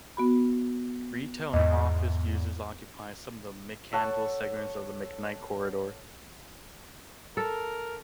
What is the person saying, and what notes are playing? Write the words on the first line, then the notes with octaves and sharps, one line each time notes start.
Retail and office uses occupy some of the McCandless segment of the McKnight corridor.
B3 F#4 B5
E2 G#2 D#5
A4 C#5 F#5 A5
A4 A#4